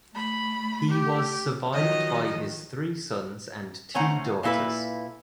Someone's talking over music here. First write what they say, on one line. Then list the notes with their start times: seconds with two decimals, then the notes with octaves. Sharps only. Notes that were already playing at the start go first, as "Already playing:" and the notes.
He was survived by his three sons and two daughters.
0.15 A3 B5
0.89 G4
1.73 D#3 F3 F#3 D#5
3.94 E3 A3 C#4 C5 F#5 A#5
4.43 A#2 A#3 E4 A4 B4